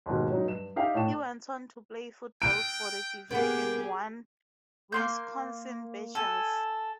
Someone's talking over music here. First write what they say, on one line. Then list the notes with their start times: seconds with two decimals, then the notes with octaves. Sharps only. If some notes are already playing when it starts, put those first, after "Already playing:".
He went on to play football for the division one Wisconsin Badgers.
0.06 D#2 G#2 B2 D#3
0.30 F#3 D#4
0.45 G2 E7
0.76 D#4 G4 E5 F5 G5
0.94 A2 A5 C#6 E7
2.42 G5 D7
3.31 A#3 B3 G4 G#4 G5
4.92 A#3 C6 G6
6.15 A4 G#5